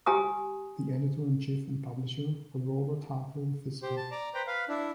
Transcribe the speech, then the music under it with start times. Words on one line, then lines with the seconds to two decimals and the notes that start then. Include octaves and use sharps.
The editor-in-chief and publisher was Robert Hartwell Fiske.
0.06 G4 G#5 A#5 D#6
3.83 G4 C5
3.97 A5
4.11 D5 A#5
4.34 B4 C5 G5 A#5
4.47 B4 F5
4.69 D4 E4